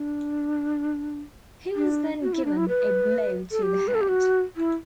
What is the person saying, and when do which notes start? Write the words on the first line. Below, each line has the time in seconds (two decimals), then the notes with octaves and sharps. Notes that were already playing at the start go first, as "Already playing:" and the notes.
He was then given a blow to the head.
Already playing: D4
1.76 D4
2.22 F#4
2.33 E4
2.45 D4
2.57 E4
2.68 B4
3.51 A4
3.63 G4
3.88 B4
3.95 A4
4.01 G4
4.09 F#4
4.57 E4